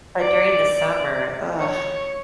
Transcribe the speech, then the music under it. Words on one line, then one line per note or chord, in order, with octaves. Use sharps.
but during the summer, ugh,
D5
C#5